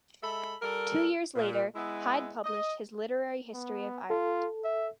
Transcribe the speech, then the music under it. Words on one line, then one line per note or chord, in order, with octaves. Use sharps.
Two years later Hyde published his "Literary history of Ireland".
G#3 A4 E5 B5
G3 A4 A#4
A#2
G#3 B3 E4
D#5
B3
F4 A4
E5